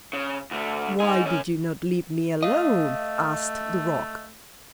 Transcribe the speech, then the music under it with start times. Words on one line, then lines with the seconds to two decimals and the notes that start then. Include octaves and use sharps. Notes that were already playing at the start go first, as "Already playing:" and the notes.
'Why did you not leave me alone?' asked the rock.
0.13 C#3
0.51 D2 A3
1.00 D#4 G#4
1.25 F#2 C#4
2.43 A3 D#5 F5